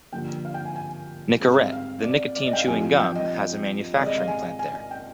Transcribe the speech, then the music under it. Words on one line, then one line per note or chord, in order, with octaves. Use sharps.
Nicorette, the nicotine chewing gum, has a manufacturing plant there.
G2 D3 F3 A#3 G5
F5
G5
G#5
G#5
G#2 G3 C4
F5
D5
D5
D#5
G5
F5
G2 F3 C4 G#5
G5
D#5
C3 D#3 G#3 D5
D#5
F5
G#5
G#5
G5